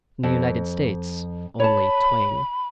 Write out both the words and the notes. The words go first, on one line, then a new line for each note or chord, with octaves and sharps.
In the United States, only Twain.
F2
C#5 A5 B5